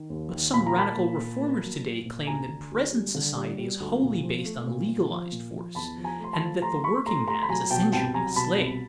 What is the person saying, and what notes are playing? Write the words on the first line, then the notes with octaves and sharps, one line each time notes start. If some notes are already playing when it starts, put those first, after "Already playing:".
But some radical reformers to-day claim that present society is wholly based on legalized force, and that the workingman is essentially a slave.
Already playing: D#3
D#2
D#3
A#2 B5
A#5
A#3 A5 B5
A#2
A#2
A#3
F#3
A#2
A#2
D2 G#5 A#5
D3
D2
G3
D3
G3
G3
D2
A#2
F3
A3
A#2
A#2
F3
A#2
F3
E2 A5 B5
F3
G#5 A#5
A3
C6
A5 B5
F3
A3 A#5 C6
A3 B5 C#6
A3 A#5 C6
A3 A#5 C6
B5
F#3 G#5 A#5
B2 G5 A5
C2 G5 A5
F#3 G#5 A#5
B2 A5 B5
C2